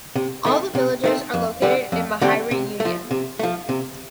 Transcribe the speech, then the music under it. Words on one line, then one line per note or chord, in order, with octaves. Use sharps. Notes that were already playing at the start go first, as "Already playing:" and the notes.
All the villages are located in Mehari Union.
C3
D#3 A3 C4
C3
D#3 A3 C4
F2
D3 G3 C4 G4
F2
D3 G3 C4 G4
C3
A3
F3
C3
F3 A3
C3